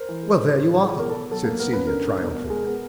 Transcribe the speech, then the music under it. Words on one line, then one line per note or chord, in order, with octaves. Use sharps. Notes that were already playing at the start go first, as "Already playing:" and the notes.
"Well, there you are," said Celia triumphantly.
Already playing: A#4 C5
E3
G#3
A2
A2
E3
G#3
B2 A#4
B2 A4
F#3 A4
A#3
B3 A#4
F#2 B4
D3 A#4
G3
B2
B2
G#3
B3